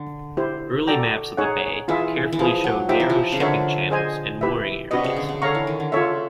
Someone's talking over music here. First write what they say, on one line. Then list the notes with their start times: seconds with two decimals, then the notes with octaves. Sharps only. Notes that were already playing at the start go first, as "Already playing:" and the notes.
Early maps of the bay carefully show narrow shipping channels and mooring areas.
Already playing: D3
0.37 E4 G4 C5
0.87 F#4 A4 D5 G5 A#5
1.37 D#4 G#4 C#5 F#5
1.88 E3 F4 G#4 B4 E5
2.33 E3
2.39 F3 E4 G#4 B4
2.64 F#3
2.89 F3 D#4 G4 C5 E5 G5
3.00 E3
3.10 F3
3.32 C#3
3.40 D3 A#4 C#5 E5
3.90 G#4 C5 D#5 G#5
4.41 E4 G4 B4 E5
4.91 C3 D4 F#4 B4 D#5
5.04 C#3
5.16 D3
5.29 C#3
5.42 D3 A4 C#5 F5 A#5 C#6
5.55 E3
5.67 D#3
5.80 D3
5.92 C#3 F4 A4 C#5 E5